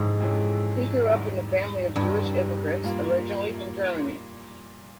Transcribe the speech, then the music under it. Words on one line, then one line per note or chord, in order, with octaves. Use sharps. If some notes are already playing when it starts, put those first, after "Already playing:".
He grew up in a family of Jewish immigrants, originally from Germany.
Already playing: F2 G#2 C3 E3 G#3 C#4
F2 C3 E3 G#3 C#4
E1 E2 C3 D#3 G3
E1 E2 G2 C3 D#3 G3
A#2 G3 A#3